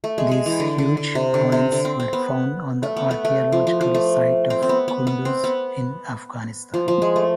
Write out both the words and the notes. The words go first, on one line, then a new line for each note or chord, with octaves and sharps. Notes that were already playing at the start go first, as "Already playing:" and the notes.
These huge coins were found on the archeological site of Qunduz in Afghanistan.
A3
G#3
G#3
E3
D3
D3
D3
C3
D3
C3
D3
C4
C4
B3
A3
B3
A3
A3
F3
F3
F3
A3
C4
C4
B3
B3
B3
C4
B3
F3
F3
G#3
A3